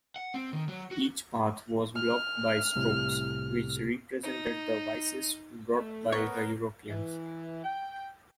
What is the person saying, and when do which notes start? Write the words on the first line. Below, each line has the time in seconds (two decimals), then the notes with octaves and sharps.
Each path was blocked by 'strokes' which represented the vices brought by the Europeans.
0.16 F#5
0.34 C4
0.53 D#3
0.68 F#3
0.91 F#4
1.96 F6
2.76 C2 A2 C3
4.23 D#4
5.74 A3
6.13 B3 A#4 C#5
6.90 E3
7.64 G5